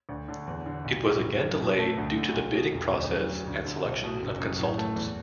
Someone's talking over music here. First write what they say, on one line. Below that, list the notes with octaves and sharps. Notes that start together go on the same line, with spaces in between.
It was again delayed due to the bidding process and selection of consultants.
D2
D3
E2
D3
B1
A2
F#1
F#2
B2
A3
D2
D3
B1
B2
E1
D2
F#2
F#3
D2
D3
B1
B2
F#1
F#2
A2
A3
E2